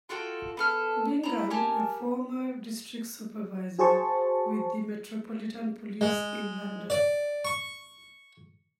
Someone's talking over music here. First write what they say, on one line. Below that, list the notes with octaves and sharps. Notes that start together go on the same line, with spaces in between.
Bingham, a former District Supervisor with the Metropolitan Police in London.
F4 F#4 A4 G5
B3 A4 F6
E4 A#5
G4 A#4 G#5 A5
F#4 G#4 C5 A5 C#6
G#3
D5
C#6